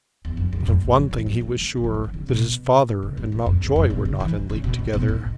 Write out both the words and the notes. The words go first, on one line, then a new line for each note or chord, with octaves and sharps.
But of one thing he was sure, that his father and Mountjoy were not in league together.
E2
F#2
F#2
F#2
A2
F#3
E3
F#3
A3
G#3
G#3
F#3
G#3
E3
C#3
B2
C#3
A2
G#2
F#2
E2
F#2
B2
C#3
E3
C#3
B2
A2
B2
G#2